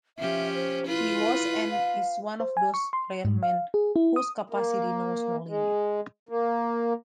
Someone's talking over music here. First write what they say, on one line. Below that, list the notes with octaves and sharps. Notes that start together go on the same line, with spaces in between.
He was and is one of those rare men whose capacity knows no limit.
F3 C#4 G4 E5
C5
E4 F4 B4
F5
C5
G#5
C#6
C6
G#2
F5
G#4
E4
D#6
A#3
G#3
A#3